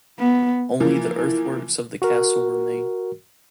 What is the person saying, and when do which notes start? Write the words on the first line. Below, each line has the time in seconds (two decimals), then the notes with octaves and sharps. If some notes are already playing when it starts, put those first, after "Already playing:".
Only the earthworks of the castle remain.
0.19 B3
0.80 E3 F3 A#3
2.02 F#4 A#4